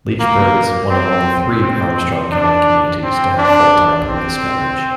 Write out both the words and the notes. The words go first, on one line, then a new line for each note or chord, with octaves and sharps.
Leechburg is one of only three Armstrong County communities to have full-time police coverage.
A#3
C4
C4
D4
C4
D4
C4